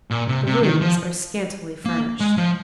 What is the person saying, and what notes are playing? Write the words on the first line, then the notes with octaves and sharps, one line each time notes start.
The rooms are scantily furnished.
A#2
C3
C3
D#3
F3
A#3
G#3
F3